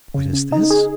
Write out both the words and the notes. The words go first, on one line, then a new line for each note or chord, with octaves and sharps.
What is this?
C#3
C#3
D#4
G#4